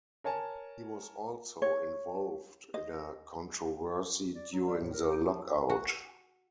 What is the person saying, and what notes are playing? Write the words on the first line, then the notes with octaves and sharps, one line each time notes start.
He was also involved in a controversy during the lockout.
A#4 C#5 G#5 A5
C#5
D#5
D5
F#3
G3
A2
A#4
D#4
F3
F#4